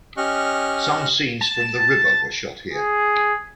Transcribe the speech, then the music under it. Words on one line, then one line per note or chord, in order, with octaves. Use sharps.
Some scenes from "The River" were shot here.
C#4 G4 D#5 C#6 F6 F#6
A5
G#4